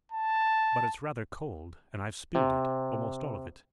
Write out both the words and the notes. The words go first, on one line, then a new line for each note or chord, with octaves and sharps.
"But it's rather cold, and I've spilled it--almost all of it."
A5
C3